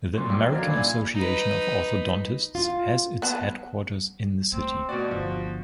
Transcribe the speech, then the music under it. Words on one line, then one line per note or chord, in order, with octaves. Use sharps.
The American Association of Orthodontists has its headquarters in the city.
F#2 A#2 C6
F2 E4 F#4 G5 D6
D3 F#3 C#4 D4 A#4 F5 G#6
A#2 E3 E4 D5
D#4 B4
F4
B3 F#5 A5
A3 C4
B2 F#4 D5
G1 F3